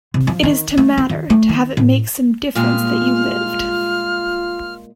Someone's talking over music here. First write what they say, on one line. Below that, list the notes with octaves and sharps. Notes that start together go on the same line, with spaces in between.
It is to "matter," to have it make some difference that you lived.
C3
F3
D#3
A3
C4
D#3
A3
D#3
A2
A#2 G3 G#3 F4 F6